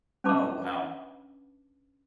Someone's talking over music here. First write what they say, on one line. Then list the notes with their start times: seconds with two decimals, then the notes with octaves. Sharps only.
Oh, wow.
0.24 C#4 D4 B4 A5 D6